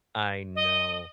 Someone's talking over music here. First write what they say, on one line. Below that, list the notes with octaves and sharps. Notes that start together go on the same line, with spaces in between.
I know.
D#5